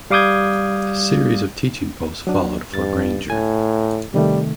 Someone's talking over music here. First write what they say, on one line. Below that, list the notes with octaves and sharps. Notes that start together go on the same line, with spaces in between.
A series of teaching posts followed for Grainger.
G3 F5 D6 D#6 G6 G#6
F#3 D4
G2 A6
A2 G#5
C3 D#3 G3 A3